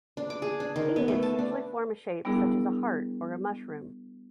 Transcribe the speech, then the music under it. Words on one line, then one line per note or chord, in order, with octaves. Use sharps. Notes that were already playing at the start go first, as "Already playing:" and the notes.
Ingots usually form a shape such as a heart or a mushroom.
D4
D6
G#4
D4
D#3
B3
A3
A5
D4
G3 B3 D4 E4 G#4 A#4